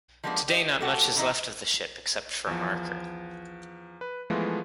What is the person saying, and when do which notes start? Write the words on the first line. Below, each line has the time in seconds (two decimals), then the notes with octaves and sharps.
Today not much is left of the ship except for a marker.
0.24 F3 G3 G#3 A#3 B3 D4
0.48 G4 D#5
0.81 A3 F#4 G4 A4
1.15 D3 E3 F#3 D#4 E4
2.47 E2 F3
4.01 B4
4.30 E3 F3 G#3 A3 B3 F4